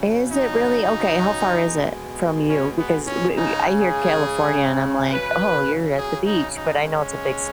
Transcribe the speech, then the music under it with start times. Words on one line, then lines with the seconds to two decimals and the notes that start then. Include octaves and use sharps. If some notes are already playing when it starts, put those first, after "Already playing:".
Is it really okay. How far is it from you? Because we we I hear California and I'm like, "Oh, you're at the beach" but I know it's a big s
Already playing: C#3 F#3
0.32 D#4
1.63 B2 G#3
2.50 C#4
2.78 B3
3.07 C#4
3.36 C#3 G#3 D#4
3.80 G#4
5.10 C#3 F#3 B4
5.98 G#4
6.26 D#4
6.56 D#4
6.84 C#3 G#3 C#4